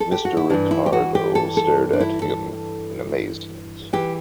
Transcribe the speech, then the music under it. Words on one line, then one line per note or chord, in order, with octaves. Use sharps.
Mr. Ricardo stared at him in amazement.
A4
G4
F#4
E4
G2 E3 D4
E4
G4
F#4
G4
A4
A4
D4
E4
A4
E3 G4